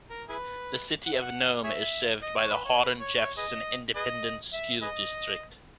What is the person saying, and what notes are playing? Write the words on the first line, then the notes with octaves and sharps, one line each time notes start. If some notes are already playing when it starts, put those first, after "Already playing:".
The City of Nome is served by the Hardin-Jefferson Independent School District.
A#4
E4 G#4 B4
F#5
E5
F#5
G#4 C#5 E5
D#5
C#5
B4
C#5
B4
C#5
C#5
G#4 B4 D#5
G#4 B4 D#5
E5
G#4 B4 D#5